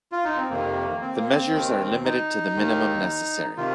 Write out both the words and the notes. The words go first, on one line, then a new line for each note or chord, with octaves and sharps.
The measures are limited to the minimum necessary.
F4
D#4
C4
F2 C3 D#3 A#3
C4
A#3
C4
D#2 D#3
D#4
D#2 D#3
C3 D#3 F4